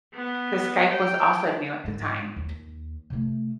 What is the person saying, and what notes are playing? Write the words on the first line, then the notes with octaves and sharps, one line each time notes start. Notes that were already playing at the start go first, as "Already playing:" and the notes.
'cause Skype was also new at the time.
B3
G5
G#2 G#3
D#2
C3 A3